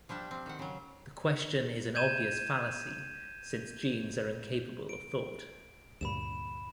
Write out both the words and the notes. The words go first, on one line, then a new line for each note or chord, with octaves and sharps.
The question is an obvious fallacy since genes are incapable of thought.
F3 G3 D4 G4
F3 C4
D#3 F#5
C#3 F#3
G6 G#6 D#7 E7
D7
D2 G2 A#2 B5 E7